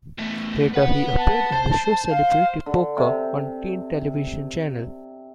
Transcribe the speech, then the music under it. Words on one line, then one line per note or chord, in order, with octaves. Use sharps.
Later, he appeared in the show Celebrity Poker on Tien television channel.
E2 A3
B4 F#5
A5
C5
F5
D3
C3